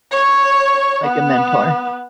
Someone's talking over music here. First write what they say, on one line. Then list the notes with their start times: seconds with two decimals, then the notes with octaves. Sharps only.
Like a mentor.
0.11 C#5
1.04 B3